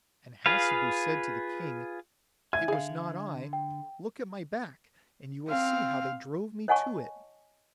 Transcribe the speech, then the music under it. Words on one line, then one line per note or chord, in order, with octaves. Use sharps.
And Hassebu said to the King: 'It was not I: look at my back and you will see how they drove me to it.'
F4 G#4 B4 F5
E5 G#5 G#6
D3 G#4 F5
G5
C4 F5
C#5 D#5 F#5 G#5 A5 C#6